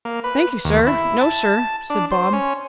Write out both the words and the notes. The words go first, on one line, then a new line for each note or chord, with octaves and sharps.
'Thankee sir, no sir,' said Bob.
A#3
B4
D#2
E4
A5
D4
C5
C#4